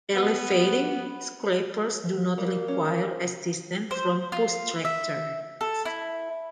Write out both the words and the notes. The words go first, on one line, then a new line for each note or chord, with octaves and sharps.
Elevating scrapers do not require assistance from push-tractors.
B3
G3 A#3
C#4
F3
C5
F4
E5
A4
E4